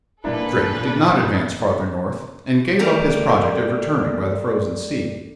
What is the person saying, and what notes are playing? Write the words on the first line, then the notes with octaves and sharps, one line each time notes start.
Drake did not advance farther north and gave up his project of returning by the Frozen Sea.
D#1 A#2 A#3 D4 E4 A4 B4
G3 A3 A#4